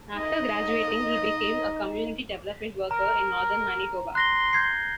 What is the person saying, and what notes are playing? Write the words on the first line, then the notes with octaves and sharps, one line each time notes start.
After graduating, he became a community development worker in northern Manitoba.
D#4 D#5
A#4 A#5
C6 F#6 A#6 G7
G6 G#6 C7